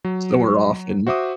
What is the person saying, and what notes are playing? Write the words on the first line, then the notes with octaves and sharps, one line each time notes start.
so we're off and
F#3
F#4 C5 E5 D6 D#6